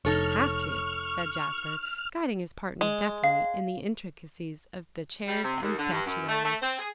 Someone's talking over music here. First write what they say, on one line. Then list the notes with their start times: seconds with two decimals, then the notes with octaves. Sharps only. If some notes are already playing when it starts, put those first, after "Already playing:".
"Have to," said Jasper, guiding his partner deftly in the intricacies of the chairs and statuary.
0.05 F1 D#4 A4 C#5 C#6 F6
2.81 G#3
3.24 F5
5.28 G3
5.43 C3
5.62 D#2
5.78 D3
5.92 G2
6.06 F#2
6.29 A3
6.45 A3
6.62 C4
6.79 G#4